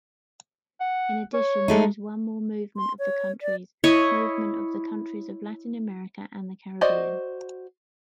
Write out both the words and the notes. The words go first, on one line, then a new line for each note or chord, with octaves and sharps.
In addition there is one more movement of the countries - movement of the countries of Latin America and the Caribbean.
F#5
C#5
G#3 A3 D#4
C6
C#5
D5
E4 C#5 D#5
F#4 C5 D5 D#5